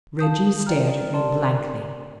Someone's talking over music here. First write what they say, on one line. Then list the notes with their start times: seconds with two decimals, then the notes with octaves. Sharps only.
Reggie stared at me blankly.
0.19 F5 A5 D#6 G6
0.66 A#4 D5 G5 A#5 F6
1.14 G4 A#4 D5 A5 C6